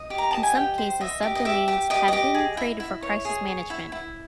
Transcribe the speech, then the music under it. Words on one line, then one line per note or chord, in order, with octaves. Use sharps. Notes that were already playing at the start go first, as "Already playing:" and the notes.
In some cases subdomains have been created for crisis management.
Already playing: D#5
G4
A#5
D#5 A5
G#5
G4 G5
C5
D#5 E5
G4
D#5
G4 E5
G4
G4 D#5
G4 D#5
G#4
E4
E4
C#5
G#4
C#5
E4
E4